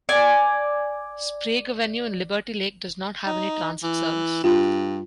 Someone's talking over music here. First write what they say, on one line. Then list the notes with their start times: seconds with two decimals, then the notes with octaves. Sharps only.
Sprague Avenue in Liberty Lake does not have any transit service.
0.09 D5 G#5
3.26 D#4
3.83 E3
4.44 G2 F4